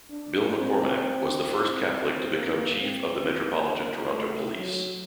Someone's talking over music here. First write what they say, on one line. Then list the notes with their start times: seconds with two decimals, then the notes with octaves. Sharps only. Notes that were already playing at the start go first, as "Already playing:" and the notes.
Bill McCormack was the first Catholic to become Chief of the Metropolitan Toronto Police.
0.10 D4
0.56 C4
1.88 C4
2.32 A#3
2.77 C4
3.21 A#3
4.11 A3
4.54 F#3